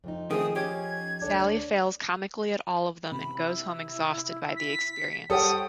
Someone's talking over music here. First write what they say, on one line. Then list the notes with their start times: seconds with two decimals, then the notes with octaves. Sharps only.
Sally fails comically at all of them and goes home exhausted by the experience.
0.04 F2 F3 D#4
0.31 D#3 A3 C4 G#4 D#6
0.56 C#4 G4 G#6
1.22 D2 D4 A4 C#5
3.12 C3 B5
3.37 E4
4.56 B6
5.30 G3 A4 C5 C#5 F#5 G5 D#6